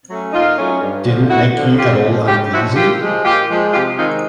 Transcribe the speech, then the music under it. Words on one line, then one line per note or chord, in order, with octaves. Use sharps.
Didn't make you at all uneasy?
F#3 A3 C#4
A#2 D#4 F4
F#3 A3 C#4
G2
D3 F3
G2 E4 F#4
D3 F3
C#3 F4 G4
F3 G#3 C#4
C#3 F4 G4
F3 G#3 C#4 E4 F#4
A#2 F4 G4
F3 G#3
A#2 F4 G4
F3 G#3
C3 F4 G4
D#3 G#3 C4 D#4 F4